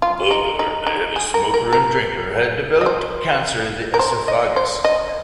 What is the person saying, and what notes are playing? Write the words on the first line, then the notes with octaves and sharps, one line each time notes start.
Bogart, a heavy smoker and drinker, had developed cancer of the esophagus.
F4
D#4
D#4
D#4
G#4
A#4
A#4
A#4
D#5
C5
A#4
C5
D#5
C5
D#5